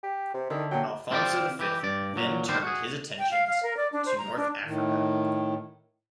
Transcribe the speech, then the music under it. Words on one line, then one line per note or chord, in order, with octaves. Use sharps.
Afonso the Fifth then turned his attentions to North Africa.
G4
C3
D3 D#3 E4 E5
A#2 F#3 G5
C4 F4 G4 A#4 D5
E3 G4
G2 D5
A#2 F#3
D3 D#3 G3 C5
F#4 G#4
G5
F5
F5
A#4
D5
D4
C5
A#5
D4
A2 D#3